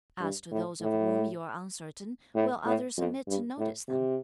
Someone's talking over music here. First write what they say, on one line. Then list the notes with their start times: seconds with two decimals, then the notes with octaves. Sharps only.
"As to those of whom you are uncertain, will others omit to notice them?"
0.20 G2
0.51 A2
0.81 A2
2.35 A2
2.66 A2
2.97 F2
3.27 G2
3.58 A2
3.89 C3